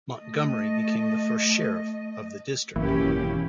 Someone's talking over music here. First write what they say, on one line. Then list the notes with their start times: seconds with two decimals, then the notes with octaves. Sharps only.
Montgomery became the first sheriff of the district.
0.19 A3 D#5
2.76 G#1 F#2 B2 E3 A#3 C#4 E4 G4